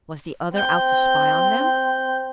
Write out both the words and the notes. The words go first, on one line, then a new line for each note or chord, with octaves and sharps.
Was the other out to spy on them?
C4 G6